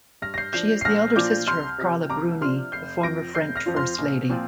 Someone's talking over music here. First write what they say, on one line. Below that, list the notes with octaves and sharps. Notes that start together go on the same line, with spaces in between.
She is the elder sister of Carla Bruni, the former French First Lady.
G2 F6 A#6
A#6
G6 C7
F3 D4 G6 C7
C7
A#1 F6 A#6
A#2 F3 D4 F4 D6 G6
C2 C6 F6
C3 F3
C2 A#5 D6
C3 F3 D4 F4 C6 F6
F1 G6 C7
F2 F3 C4 A#6 D7
F1 G6 C7
F6 A#6
F2 F3 C4 F4
C6 F6
A#1
A#2 F3 C4 F4